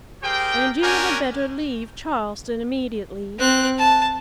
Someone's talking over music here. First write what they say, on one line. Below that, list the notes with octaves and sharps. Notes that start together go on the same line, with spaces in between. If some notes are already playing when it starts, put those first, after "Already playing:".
And you had better leave Charleston immediately.
G4 G#4 A#4 C5 G5
C#4 D4 F#4 G4 A#4 G#5
C4 F#6
A5